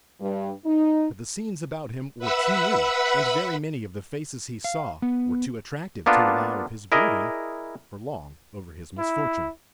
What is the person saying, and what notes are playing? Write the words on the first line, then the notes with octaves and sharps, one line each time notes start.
But the scenes about him were too new, and very many of the faces he saw were too attractive, to allow of his brooding for long over his misfortune.
G2
D#4
B4 E5 F#5 B5 E6
F5
B3
A#3 B3 D4 F4 A4
E4 G#4 A#4 D5 D#5
E4